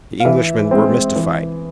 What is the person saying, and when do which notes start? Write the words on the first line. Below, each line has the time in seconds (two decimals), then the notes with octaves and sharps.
The Englishmen were mystified.
0.20 F5
0.25 E3 E5
0.71 G#3 C4
1.16 E3